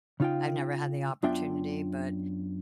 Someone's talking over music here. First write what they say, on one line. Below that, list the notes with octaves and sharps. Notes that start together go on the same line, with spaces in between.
I've never had the opportunity, but
C#3 D#4 F4 F5 G5
F#2 B3 D4 F4 E5 G5